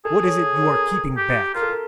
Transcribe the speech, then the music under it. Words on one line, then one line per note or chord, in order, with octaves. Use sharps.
What is it you are keeping back?
G#4 A4
C#5
C#5
A4
A#4
G4
F4 A#4
A4
A#4